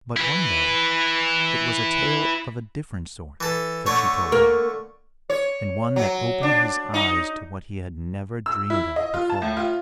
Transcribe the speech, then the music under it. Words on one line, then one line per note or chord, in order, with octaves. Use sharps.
But one day it was a tale of a different sort that she told him, and one that opened his eyes to what he had never dreamed of before.
E4 B4
E3 A4
D3 A3 C#5
A#3
C#5
F#3
D4
D#4
E6
E4
D#5
F4
A5
A2
F4